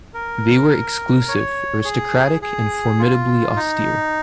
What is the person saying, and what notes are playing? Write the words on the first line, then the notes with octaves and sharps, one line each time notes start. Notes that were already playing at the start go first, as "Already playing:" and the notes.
They were exclusive, aristocratic, and formidably austere.
A#4
C#5
G#4
G#4
F4
D#4